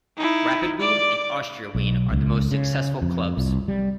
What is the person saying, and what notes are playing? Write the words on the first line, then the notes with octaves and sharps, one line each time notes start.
Rapid Wien and Austria Wien are the most successful clubs.
D#4 E4
D5 D6
B1
C#2
C#3
F2
C2
G3